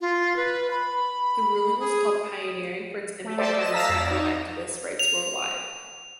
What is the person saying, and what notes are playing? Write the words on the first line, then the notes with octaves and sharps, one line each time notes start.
The ruling was called pioneering for its impact on environmental activists rights worldwide.
F4
B4
B5
G#4
A3
A4 C5 D5 E5 A5
D#5 E7
F5 A5 A#5 E6 A#6 B6
F2 D5
D#4
F7